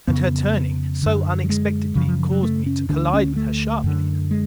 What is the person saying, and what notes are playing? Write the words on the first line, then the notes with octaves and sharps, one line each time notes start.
And her turning so unexpectedly caused me to collide with her sharply.
F2 C#3 B3
F#2 D3
F#3
G#3
F#2 C#3 F3
F3
F3
F#3
A3
C#4
D2 D3 D4
C#4
A3
F#2 D3
G#3